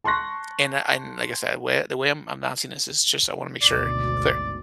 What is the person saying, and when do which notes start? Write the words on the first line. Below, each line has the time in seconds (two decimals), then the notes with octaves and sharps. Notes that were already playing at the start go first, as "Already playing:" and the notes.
And, uh, I n I guess I wa the way I'm announcing this is just I wanna make sure clear,
0.04 A5 C6 C#6 F#6 A#6
3.62 G#1 D2 B2 D5